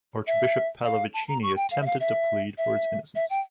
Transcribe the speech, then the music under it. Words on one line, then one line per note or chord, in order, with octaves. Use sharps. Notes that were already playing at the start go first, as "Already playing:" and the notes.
Archbishop Pallavicini attempted to plead for his innocence.
E5
F5
A5
A#5
C#6
G5
F5
E5
F5
E5
E5
E5
G5